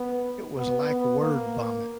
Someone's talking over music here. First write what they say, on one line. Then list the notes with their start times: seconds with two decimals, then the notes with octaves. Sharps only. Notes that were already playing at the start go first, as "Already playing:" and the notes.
It was like word vomit.
Already playing: B3
0.57 B3
0.89 B3
1.21 A#3